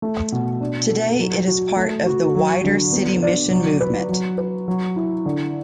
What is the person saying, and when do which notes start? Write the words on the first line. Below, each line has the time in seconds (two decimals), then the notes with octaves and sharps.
Today it is part of the wider City Mission Movement.
0.02 A3
0.32 B2
0.61 D4
0.89 A4
1.19 F#3
1.48 F#4
1.77 A3
2.06 F#4
2.35 F#3
2.64 D3
2.93 B3
3.23 D5
3.51 F#3
3.81 B4
4.09 F#3
4.38 B4
4.68 F#3
4.96 E4
5.26 D3